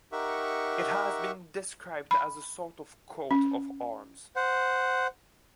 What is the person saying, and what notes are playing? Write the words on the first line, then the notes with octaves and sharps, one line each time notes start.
It has been described as a sort of Coat of Arms.
D#4 G4 A#4 E5 F#5 C#6
B5
C#4
C5 F#5